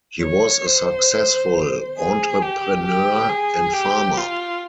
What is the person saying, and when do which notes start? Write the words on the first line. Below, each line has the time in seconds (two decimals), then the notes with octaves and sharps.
He was a successful entrepreneur and farmer.
0.22 C#5
0.66 C5
1.99 G#4
2.42 G4
2.86 G4
3.29 G#4
3.74 G4
4.17 F4